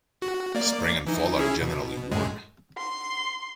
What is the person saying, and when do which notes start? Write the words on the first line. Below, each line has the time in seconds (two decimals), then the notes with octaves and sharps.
Spring and fall are generally warm.
0.22 F#4
0.55 A#3 D5
1.07 E3 D#4
1.37 C#4 E4 G#4
1.61 B2
2.11 F#2 A2 G#3
2.77 C6